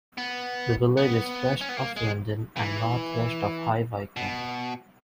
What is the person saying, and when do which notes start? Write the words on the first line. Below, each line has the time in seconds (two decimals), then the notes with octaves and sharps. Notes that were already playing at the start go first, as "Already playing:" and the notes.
The village is west of London and north west of High Wycombe.
0.18 B3
0.97 B3
1.61 C#4
1.69 B3
1.77 A#3
1.97 G#3
2.57 E3
4.17 B2